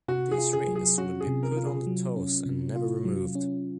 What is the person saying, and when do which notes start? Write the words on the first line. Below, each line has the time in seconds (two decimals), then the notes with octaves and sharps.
These rings would be put on the toes and never removed.
0.08 C3 F#4
0.31 G#4
0.38 F4
0.53 G#4
0.68 F#3
0.76 G#4
0.98 C#4 F#4
1.20 G#4
1.27 C3
1.43 A#4
1.57 F4
1.65 G#4
1.87 F#3
2.16 C#4
2.46 C3
2.76 F4
3.05 F#3
3.35 C#4